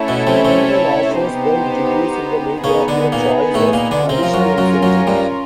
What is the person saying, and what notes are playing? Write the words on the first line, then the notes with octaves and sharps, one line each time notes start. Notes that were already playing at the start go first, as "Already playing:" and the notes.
He even offers them degrees in the major of their choice as additional incentive.
Already playing: A3 C#4 E4 A4 C#5
B2 B3
C3 C4
C3 C4
B3 D#4 G4 C5
C#3 B3 C#4 D#4 G#4
D3 D4
A#2 A#3
A2 A3
A#2 A#3
D3 D4
C3 C4 C#4 F4 A#4
F3
F#2 F#3
F#2 F#3
F#2 F#3
G2 G3